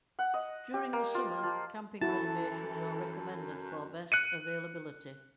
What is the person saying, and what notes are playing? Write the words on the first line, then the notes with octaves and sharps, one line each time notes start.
During the summer, camping reservations are recommended for best availability.
F#5
D#5
G4
A#3
F4
F3
F#2 E3 E4 F#4 A4 A5
F#6 C#7 D#7